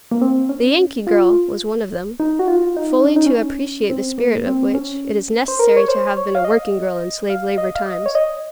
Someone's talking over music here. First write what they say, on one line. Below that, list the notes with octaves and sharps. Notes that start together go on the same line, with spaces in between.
"The Yankee Girl" was one of them, fully to appreciate the spirit of which, it is necessary to have been a working-girl in slave-labor times.
A#3
C4
C#4
F4
D#4
F#4
F4
D#4
C#4
D#4
C#4
C4
A#3
C4
C#4
C5
A#4
C#5
C5
C#5
F5
D#5
F5
D#5
F5
D#5
C#5
D#5